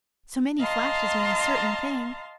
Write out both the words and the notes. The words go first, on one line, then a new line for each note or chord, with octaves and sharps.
So many flashes mean a certain thing.
D#5 F5 A5 A#5 C6